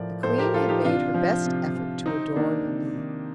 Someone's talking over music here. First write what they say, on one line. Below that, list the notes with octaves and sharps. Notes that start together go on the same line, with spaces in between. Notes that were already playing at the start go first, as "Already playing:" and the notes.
The Queen had made her best effort to adorn Enide.
Already playing: A2 F3 A#4 D5
A2 A4 C5
G4 A#4
F3 F4 A4
D#4 G4
C3 D4 F4
F3
C3
F3
C3 C4 D#4
D#3 A#3 D4
C3
D#3